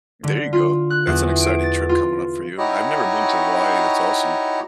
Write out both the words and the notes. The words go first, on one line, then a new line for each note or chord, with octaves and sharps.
There you go, that's an exciting trip coming up for you. I've never been to Hawaii, that's awesome.
D3
F4
F#6
E2
D7
A6
F4
D#4 E4 F#4 G4 C#5 D#5